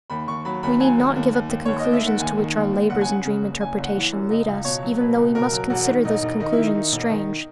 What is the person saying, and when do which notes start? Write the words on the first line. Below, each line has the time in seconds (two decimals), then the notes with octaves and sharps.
We need not give up the conclusions to which our labors in dream interpretation lead us even though we must consider those conclusions strange.
0.10 D#2 B5
0.27 D#2 C#6
0.45 F#3 B5
0.63 D#2 B5
0.80 F#3 G#5
0.98 D#2
1.16 D#2
1.33 D#2
1.50 D#2
1.65 D#2 C#5
1.78 D#5
1.85 D#2
1.93 E5
2.02 D#3 F#5
2.19 D#2 G#5
2.38 D#3
2.56 D#2
2.73 D#2
2.89 F#1 F#5
3.01 G#5
3.08 C#3 F#5
3.25 C#3
3.42 F#1
3.60 F#1 G#5
3.77 F#1
3.83 F#5
3.95 E3
4.12 F#2
4.29 C#2 D#5
4.47 C#2
4.64 B2 C#5
4.82 F#3
5.00 B2 B4
5.17 C#2
5.35 B2 A#4
5.52 F#3
5.70 E1 F#4
5.87 D#3
6.05 E1 D#4
6.22 E1
6.40 D#3 D#4
6.52 E4
6.58 D#3
6.65 D#4
6.75 D#3
6.92 E1
7.10 D#3